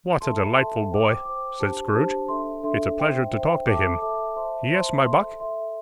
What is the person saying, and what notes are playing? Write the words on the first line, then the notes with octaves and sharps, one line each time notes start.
'What a delightful boy!' said Scrooge. 'It's a pleasure to talk to him. Yes, my buck!'
A4 E5 A5 C6
A4 E5 A5 C6
C5 G5 D6
C5 G5 D6
D4 G4 C5 A5
D4 G4 C5 A5
D4 A4 E5 C6
D4 A4 E5 C6
C5 E5 G5
C5 E5 G5
A4 E5 A5 D6
A4 E5 A5 D6
C5 E5 A5 C6
C5 E5 A5 C6
A4 E5 C6
A4 E5 C6